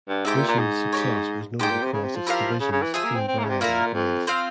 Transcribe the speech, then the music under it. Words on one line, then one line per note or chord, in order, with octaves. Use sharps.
Vision's success was noted across its divisions in a variety of ways.
G2
G#2 E4 G4 C5 G5
A#2
A#2
G#2
G4 A#4 C#5
G#2 G4 C5 G5
A#2
C3
C#3
C3
F3
E4 G4 A#4 F5
C#3
C#3
E3
F3 G#4 E5 G#5
A#3
C4
C4
A#3
C#3
C3
A#2 A#3 E4 A#4
F2
C4 F4 C5 F5